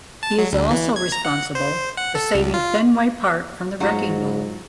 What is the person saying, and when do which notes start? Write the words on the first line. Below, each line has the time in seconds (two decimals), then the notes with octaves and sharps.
He is also responsible for saving Fenway Park from the wrecking ball.
0.23 A5
0.38 F#3
0.53 D2
0.71 E3
0.96 G#6
1.12 A#5
1.25 F#5
1.55 C5
1.97 F#5
2.15 A4
2.35 C#2
2.54 F4
3.80 G#2 F#3 F4 F#5